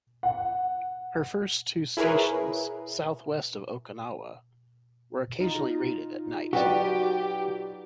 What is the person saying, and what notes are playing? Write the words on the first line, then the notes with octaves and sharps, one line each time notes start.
Her first two stations, southwest of Okinawa, were occasionally raided at night.
F#5
E4 G#4 A#4 B4 C#5
D#4 F4 A#5
F#3 F#4 G4 B4 D5